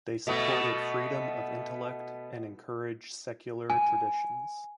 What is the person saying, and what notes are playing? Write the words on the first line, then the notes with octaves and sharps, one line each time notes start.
They supported Freedom of intellect and encourage secular traditions.
B2 A3 B3
G#5